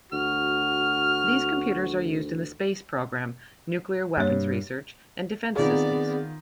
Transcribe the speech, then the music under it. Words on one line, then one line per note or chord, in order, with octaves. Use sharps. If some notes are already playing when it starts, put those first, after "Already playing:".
These computers are used in the space program, nuclear weapons research, and defense systems.
D2 F#4 F6
G2 A#3 C#5
D#3 B3 C4 F4 G#4 D5